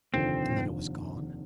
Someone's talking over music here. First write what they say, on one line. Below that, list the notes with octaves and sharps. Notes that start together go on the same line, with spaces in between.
'And then it was gone?'
F1 D#2 D3 F3 C4